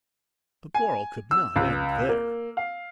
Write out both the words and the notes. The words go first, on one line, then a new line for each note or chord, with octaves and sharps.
The quarrel could not end there.
G#5
E6
C#2
A#3
F5